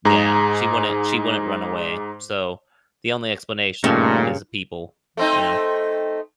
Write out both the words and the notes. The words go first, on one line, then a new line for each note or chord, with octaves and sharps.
Yeah, she wouldn't she wouldn't run away, so, the only explanation is people, you know.
G#2 G#4 A#5
G2 A#2 C#3 A3 C#4 D#4
A3 C4 D#4